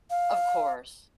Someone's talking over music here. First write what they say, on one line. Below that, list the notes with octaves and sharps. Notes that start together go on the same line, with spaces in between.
Of course.
F5